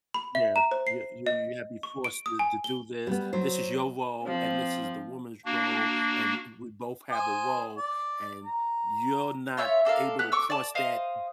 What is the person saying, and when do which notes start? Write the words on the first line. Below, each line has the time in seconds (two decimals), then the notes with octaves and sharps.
Yeah. You you you have to be forced to to do this. "This is your role, and this is the woman's role, and w we both have a role and you're not able to cross that th
0.14 B5
0.35 E5
0.56 A#5
0.71 C5
0.87 C7
1.27 D#5
1.83 C#6
2.04 D7
2.26 D#6
2.39 G#5
2.64 G7
3.07 G3 B3
3.33 F#3 C5
4.23 F3 C4
5.45 A#3 D4 F#4
7.11 C5 G#5 D#6
7.78 D5
8.44 A#5
9.57 F4 C#5 E5
9.85 D4 A4 A#4 F5
10.19 B3 F#6
10.32 C#6 D6 E6
10.50 D5 A5
10.75 C5 D#5 F5